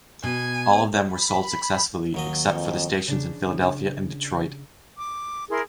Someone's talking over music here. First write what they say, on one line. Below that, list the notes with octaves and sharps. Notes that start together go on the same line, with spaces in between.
All of them were sold successfully except for the stations in Philadelphia and Detroit.
B2 G#5
B5
D#2 F#3 D#5
F2
C#3 D4
D6
E4 G#4 A#4 C6